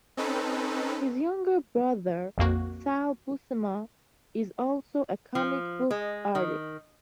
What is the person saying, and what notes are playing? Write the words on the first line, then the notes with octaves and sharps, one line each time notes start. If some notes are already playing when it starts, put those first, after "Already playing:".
His younger brother Sal Buscema is also a comic book artist.
C4 C#4 D#4 A4 B4
A#1 F2 A#3 F#4
F3
G#3
D#3